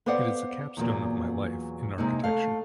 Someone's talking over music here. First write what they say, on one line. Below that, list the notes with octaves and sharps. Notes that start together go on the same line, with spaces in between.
It is the capstone of my life in architecture.
B3 B4 C5 D5 F5 F#5
E2 A#2 F#3 A#3
C3 G#3 A#3 D#4
A3 F5